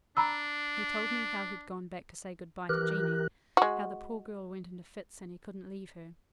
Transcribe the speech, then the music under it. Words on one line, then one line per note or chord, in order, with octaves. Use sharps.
He told me how he'd gone back to say good-bye to Jeanie--how the poor girl went into fits, and he couldn't leave her.
D4 A#5 B5 E6
E3 G4 A#4 F#6
G#3 F#4